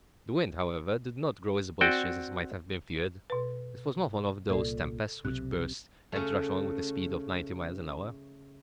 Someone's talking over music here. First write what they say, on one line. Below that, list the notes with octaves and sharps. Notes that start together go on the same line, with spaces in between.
The wind, however, did not grow as boisterous as might have been feared; it was not one of those tempests which burst, and rush on with a speed of ninety miles an hour.
C4 F#4 D5 G5
B2 B4
C2 A#2 A4 D5
B1 C3 F#6
C#3 A3